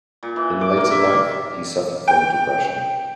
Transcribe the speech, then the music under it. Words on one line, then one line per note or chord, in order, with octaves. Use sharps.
In later life, he suffered from depression.
A#2
E3
D6
A#3
E5
D#3
G5